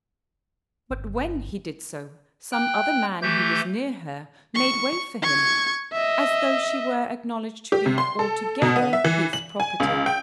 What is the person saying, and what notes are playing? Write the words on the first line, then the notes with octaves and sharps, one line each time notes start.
But when he did so, some other man who was near her made way for him, as though she were acknowledged to be altogether his property.
G1
G5 F#6
E3 A3 G4 G6
C#6
C#6 G#6
D#5 E5
G4
C3
C6
A4
B2
B3
E5
E3
F#7
G#5
C#2
G5